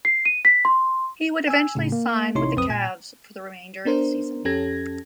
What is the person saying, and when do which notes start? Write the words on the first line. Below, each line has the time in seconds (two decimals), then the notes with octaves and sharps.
He would eventually sign with the Cavs for the remainder of the season.
0.05 C7
0.25 D#7
0.45 B6
0.65 C6
1.48 G#5 E6
1.75 A2 C#3
1.92 A#3
2.35 A1 C3 D#4 E4 C#5 C6
2.56 B1 F2 C4 B4 D#6
2.69 A#2 G#5 G#6
3.85 B3 D4 A#4 C5
4.45 F2 C#4 G4 A4 G#6 A#6